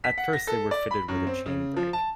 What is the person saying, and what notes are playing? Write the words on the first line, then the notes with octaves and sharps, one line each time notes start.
At first they were fitted with a chain brake.
B6
F#5
A#6
A4
D5
B5
F#2
C4
C#3
F3
A5